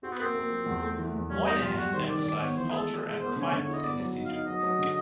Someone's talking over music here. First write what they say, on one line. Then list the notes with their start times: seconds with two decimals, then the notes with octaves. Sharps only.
Moynihan emphasized culture and refinement in his teaching.
0.03 C4 F#4
0.12 B3
0.20 A#3 C4
0.35 A#3
0.50 F3
0.66 E2
0.82 A3
0.98 E3
1.14 E2
1.30 G3 C#4
1.45 B3 D#4
1.62 G3 F4
1.77 G3 F#4
1.93 D#3 C5
2.09 D#3 D5
2.25 D#3 D5
2.40 B3 C#5
2.57 E3 C5
2.71 G#3 G#4
2.78 A4
2.89 G#3
2.99 A4
3.04 G#3
3.20 B3 C5
3.36 D3 C#5
3.52 D3
3.62 C#5
3.68 E4
3.73 D#5
3.84 B3 D5
3.99 F#3
4.15 D#4
4.26 F5
4.31 D#4
4.46 F#3 D#5
4.63 F#3
4.79 D3